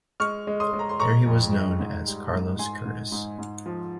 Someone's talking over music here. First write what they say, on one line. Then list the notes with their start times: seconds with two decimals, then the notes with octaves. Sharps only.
There he was known as Carlos Curtiss.
0.20 G#3 C#6 F6
0.47 G#3
0.60 C6 D#6
0.73 G#3
0.79 A#5
0.89 C6
1.00 G#3 A#5 C#6
1.26 F2
1.53 G#3
1.79 G#2
2.06 G3
2.33 G#2
2.59 G#2 G#5 C6
2.86 G#2
3.12 G#2
3.39 G#2
3.66 F3